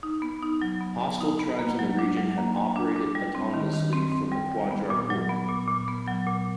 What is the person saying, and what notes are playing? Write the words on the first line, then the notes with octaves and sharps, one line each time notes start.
Hostile tribes in the region had operated autonomously from the Qajar rule.
D#4
B3
D#4
F#3
B3
B3
D#4
B3
A#3
F#3
D4
F#3
A#3
A#3
D4
D4
G3
C4
D#3
D#3
C4
C4
G3
G3
B3
A#2
F#3
B3
A#2
A#2
B3
F#3
A#2